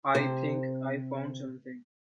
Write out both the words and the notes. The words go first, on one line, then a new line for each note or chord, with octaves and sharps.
I think I found something.
C3 C5